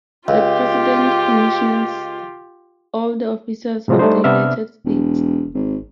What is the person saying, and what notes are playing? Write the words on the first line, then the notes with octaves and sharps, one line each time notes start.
The President commissions all the Officers of the United States.
C#2 F4 G4
A2 C3 F3 F#3 G#3
G3 A3 D4 D#4 C5
C3 B3 D4 E5 F6
E1
G#1